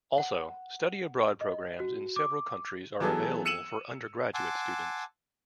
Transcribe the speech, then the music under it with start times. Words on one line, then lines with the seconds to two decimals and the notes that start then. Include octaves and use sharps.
Also, study abroad programs in several countries are available for undergraduate students.
0.18 F#5
1.41 D#5
1.80 F#4
2.16 D6
3.00 E3 F#3 B3 G#4 A4
3.45 E6 C#7 D#7 E7 F#7
4.34 F#5 G#5 A5 C6 D6 E6